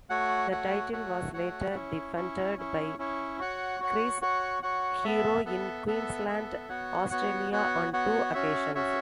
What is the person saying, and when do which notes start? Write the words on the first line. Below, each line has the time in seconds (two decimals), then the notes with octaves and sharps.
The title was later defended by Chris Hero in Queensland, Australia on two occasions.
0.10 A3 F#4 C#5 F#5
0.51 A3 F#4 C#5 F#5
0.92 A3 F#4 C#5 F#5
1.34 A3 F#4 C#5 F#5
1.74 C#4 E4 C#5
2.16 C#4 E4 C#5
2.57 C#4 E4 C#5
2.98 C#4 E4 C#5
3.39 F#4 C#5 F#5
3.80 F#4 C#5 F#5
4.21 F#4 C#5 F#5
4.63 F#4 C#5 F#5
5.04 B3 A4 E5
5.45 B3 A4 E5
5.87 B3 A4 E5
6.28 B3 A4 E5
6.69 B3 F#4 C#5 F#5
7.10 B3 F#4 C#5 F#5
7.52 B3 F#4 C#5 F#5
7.93 B3 F#4 C#5 F#5
8.33 C#4 F#4 C#5 E5
8.75 C#4 F#4 C#5 E5